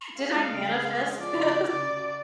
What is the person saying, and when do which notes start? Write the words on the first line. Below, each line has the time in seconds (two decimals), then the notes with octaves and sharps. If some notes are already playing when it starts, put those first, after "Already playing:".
"Did I manifest this?"
0.19 G#4 F5
0.36 G#3
0.53 C#3
0.69 G#4
0.85 G#3
1.01 G#4
1.18 F3 D5
1.34 C#3
1.51 F#4
1.67 C#3 D5
1.83 C#3
1.99 F#4